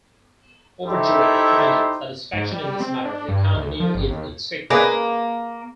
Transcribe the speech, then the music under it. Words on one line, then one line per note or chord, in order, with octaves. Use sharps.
Overjoyed at finding satisfaction in this manner, they continue it in secret.
D#4 E4 G4 A4 C5 E5
G#2
G3
C4
D4
G2
D2
F3
G1
D#2
A#3 G#4 B4